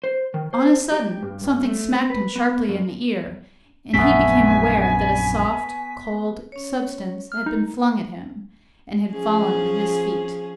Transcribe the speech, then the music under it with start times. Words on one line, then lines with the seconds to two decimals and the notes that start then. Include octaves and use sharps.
On a sudden something smacked him sharply in the ear, and he became aware that a soft cold substance had been flung at him, and had fallen at his feet.
0.04 C5
0.34 D#3
0.53 C5
0.92 G4
1.23 G2
1.44 G2
1.64 A3
1.92 C4
2.10 B4
2.36 B3
2.69 F#2
3.94 A#1 F#2 A3 B3 C4 G#5 B6
6.52 C#4 C#5
7.32 F6
7.46 D#4 A#4
9.13 F3 C#4 G#4